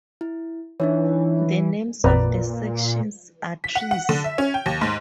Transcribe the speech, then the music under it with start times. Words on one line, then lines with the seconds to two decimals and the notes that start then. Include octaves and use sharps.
The names of the sections are trees.
0.21 E4
0.80 E3 D4 D#4 C#5
2.04 A1 F2 A#2 B4 D5 A#5
3.64 B6
3.76 F#5
3.91 F#5
4.09 D3
4.24 E5
4.38 C#4
4.54 G5
4.66 D#2
4.81 G#2